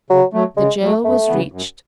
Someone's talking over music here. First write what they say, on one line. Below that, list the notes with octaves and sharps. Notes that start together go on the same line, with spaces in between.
The jail was reached.
C#3 F#3
F#3 A3
C#3 G#3
F#3 A3
F#2 A3
C#3 E3 B3
F#2